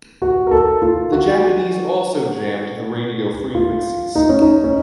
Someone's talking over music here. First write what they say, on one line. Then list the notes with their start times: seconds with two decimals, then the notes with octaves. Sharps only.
The Japanese also jammed the radio frequencies.
0.22 F#4
0.47 A#4
0.51 A4
0.82 F4
1.12 F#4
3.55 F4
4.15 D#4
4.29 C#4
4.42 D#4
4.64 C#4